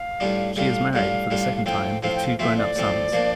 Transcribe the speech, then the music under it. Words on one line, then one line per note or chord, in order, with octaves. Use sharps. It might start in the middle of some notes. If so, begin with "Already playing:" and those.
She is married, for the second time, with two grown-up sons.
Already playing: F5
A2 G3 D4 F4
A2 G3 D4 F4 F5
A2 G3 D4 F4 F5
A2 G3 D4 F4
F5
A2 F3 C4 F4 G5
A2 F3 C4 F4 F5
G5
F5
A2 F3 C4 F4 E5
D5
A2 F3 C4 F4
A#2 F3 A#3 D4